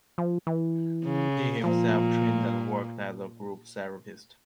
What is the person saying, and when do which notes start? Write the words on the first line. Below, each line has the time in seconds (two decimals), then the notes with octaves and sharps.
He himself trained and worked as a group therapist.
0.18 F3
0.47 E3
1.05 C#3
1.63 A#2 F3